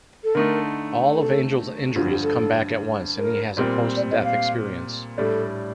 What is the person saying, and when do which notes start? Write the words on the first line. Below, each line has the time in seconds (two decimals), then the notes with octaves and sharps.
All of Angel's injuries come back at once and he has a post-death experience.
0.24 A4
0.35 D3 A3 D#4 A#4
1.15 A4
1.96 G2 D3 F3 F4
2.10 G4
2.23 A4
3.17 A#4
3.57 A#2 G3 C4
3.97 D5
4.11 D#5
4.24 F5
5.18 A2 G3 D4 A4